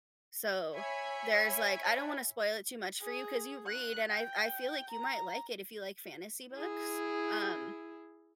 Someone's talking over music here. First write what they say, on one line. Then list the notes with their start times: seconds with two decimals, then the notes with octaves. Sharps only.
so, there's, like I don't wanna spoil it too much for you 'cause you read, and I I feel like you might like it if you like fantasy books, um,
0.73 C#5 E5 G#5 B5
3.03 G#4
3.67 F#6
4.11 G5
4.91 A#5
6.54 E4 G#4